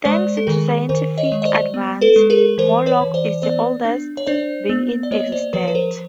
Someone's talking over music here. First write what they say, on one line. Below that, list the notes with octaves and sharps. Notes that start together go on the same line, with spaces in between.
Thanks to scientific advances, Morlock is the oldest being in existence.
G#3 C5 D5
A4
D#3 G#4 A#4
D#3 A#4 C5
C#5 D#5
G#3
D#5
C5 D5
B3
A4 B4
G#3
G#4 A#4
E3 A#4 C5
B4 C#5
E3
C5 D5
B3 C5 D5
D4
C#5
D4 C5 D5
B3
D5
A#3 C#5 D#5
C5 D5
F3 B4 C#5
B4
A#4 C5